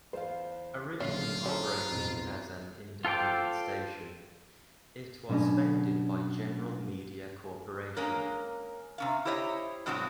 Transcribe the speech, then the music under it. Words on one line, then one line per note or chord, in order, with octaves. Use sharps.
Originally operating as an independent station, it was founded by General Media Corporation.
E2 C5 F5
A#1 D3 F#3 C#4 D4 F4 E5 C7
C#4 E4 G#4 A4 C5 A#5
B1 F2
F4 A4 C5 G5 D6
B2 F#3 C#4 D4 D#5
G#3 A#3 C#4 A#4
C3 C#4 F5
E4 G4 C5 C#5 D#5
G2 B2 F#3 G#3 C4 F#4